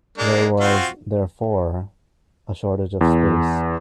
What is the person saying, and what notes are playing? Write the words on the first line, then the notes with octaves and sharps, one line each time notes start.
There was, therefore, a shortage of space.
G#3 A#3 D4
C4 F4 F#4
E2